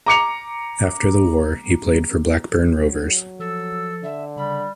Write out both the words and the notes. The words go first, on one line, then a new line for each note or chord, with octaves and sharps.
After the war he played for Blackburn Rovers.
A#5 D6 C#7 F7
F#3
F3 A4 E6
D3 E5
C#3 G3 B5